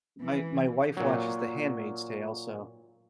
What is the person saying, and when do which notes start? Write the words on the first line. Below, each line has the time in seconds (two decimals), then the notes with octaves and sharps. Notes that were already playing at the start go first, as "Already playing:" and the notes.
My my wife watches The Handmaid's Tale, so
0.21 E3
0.97 A#2 F#3